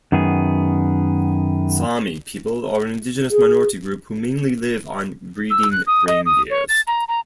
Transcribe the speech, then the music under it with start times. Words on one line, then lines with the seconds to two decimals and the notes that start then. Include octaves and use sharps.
Sami people are an indigenous minority group who mainly live on breeding reindeers.
0.12 F#2 D#3 B3 G#4
3.31 G#4
5.50 E6
5.72 F#6
5.87 D#6
6.07 D#5
6.26 D#6
6.50 C#5
6.69 A6
6.87 A#5
7.08 A#5